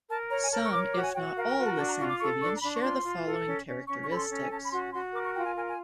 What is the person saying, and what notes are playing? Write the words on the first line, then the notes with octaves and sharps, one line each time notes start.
Some, if not all, lissamphibians share the following characteristics.
A#4 A5
C#5 A#5
G#5
A#4 A5
C#6
C#5 D6
F#4 D6
G#5
F#4 G5
F#5
A#4 F5
G5
F#4
A5
D4 A5
A#5
F4 C#6
D6
A4 C#6
D4 C#6
A#5
D4 B5
C#6
F4 C6
F4
A4
C#4
C#4
C#4 C#6
C#6
A4 B5
C6
C#4
G#5
C#4 A5
B5
F#4 C6
F#4 C6
A#4 D6
C#6
F4 G5
G#5
A#4 G#5
G#5